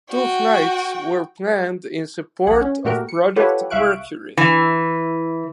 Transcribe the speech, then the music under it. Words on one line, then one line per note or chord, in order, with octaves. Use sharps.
Two flights were planned in support of Project Mercury.
F#4 G5
A#1 G#4 F#5
C#4
A#2 A3 F#4 G4 A#4
C#7
F4 G4 A4 B4 C#5 F#5
C2 E5 F5 C#6 F#6 D7
E3